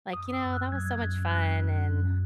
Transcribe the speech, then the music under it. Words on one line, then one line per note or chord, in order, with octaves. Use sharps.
like, "You know, that was so much fun, and,
F#2 D#6
E6
F#2
F#6
F#3 G#6
F#2
F#2 F#6
F#2
F#2